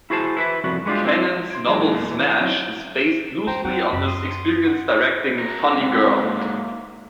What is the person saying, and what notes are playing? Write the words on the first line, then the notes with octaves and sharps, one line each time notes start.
Kanin's novel "Smash" is based loosely on his experience directing "Funny Girl".
E4 F#4 G#4 C5 A5
E4 B4 E5
C2 F2 B3 F#4
G#3 B3 D4 D#4 F4 G4
C4 E4 C5
C6 G#6 D7
A#2 E3 F#3 G#3
E2 A#3
E3
F#3 C4 C#4 D#4 E4
E3 C5 G5 A#5
C4 E4 F#5 G5
F#2 B5
C6 D#6
F#5
A#4 C#5
G#2 F#3 C4
A#3